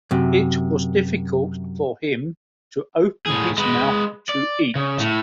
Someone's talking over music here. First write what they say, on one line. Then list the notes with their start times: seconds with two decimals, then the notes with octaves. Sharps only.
It was difficult for him to open his mouth to eat.
0.11 F#2 C3
3.26 A2 G#4
3.58 G#3 B4
4.29 D5
4.76 C#3
4.98 A2